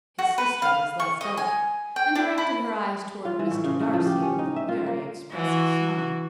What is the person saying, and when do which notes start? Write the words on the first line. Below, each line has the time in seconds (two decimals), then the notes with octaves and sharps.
His sister was less delicate, and directed her eyes towards Mr. Darcy with a very expressive smile.
0.19 F#4
0.38 B4
0.62 F5
1.00 C#6
1.21 D#5
1.37 G#5
1.96 G5
2.15 D4
2.38 E4
3.25 F4
3.39 E3
3.51 A2
3.64 C#3
3.80 C#3
3.93 F3
4.06 G4
4.22 C#4
4.39 D#4
4.56 E5
4.68 F4
4.86 A#3
5.32 E3 F#4